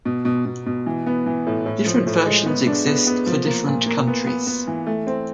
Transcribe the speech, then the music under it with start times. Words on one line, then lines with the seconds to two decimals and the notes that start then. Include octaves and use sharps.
Different versions exist for different countries.
0.05 B2
0.25 B2
0.45 B2
0.66 B2
0.86 E3
1.06 B3
1.26 E3
1.47 A2
1.66 A2
1.86 F3
2.07 A2
2.26 G#3
2.46 B3
2.67 D4
2.87 B3
3.07 B3
3.27 F3
3.46 A#3
3.67 A#2
3.86 A#3
4.07 B3
4.26 B3
4.47 B3
4.67 E3
4.87 A3
5.07 C4